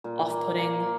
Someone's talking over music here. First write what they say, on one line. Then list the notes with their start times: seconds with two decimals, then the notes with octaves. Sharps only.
off putting.
0.04 A#2
0.31 A#3
0.58 A#3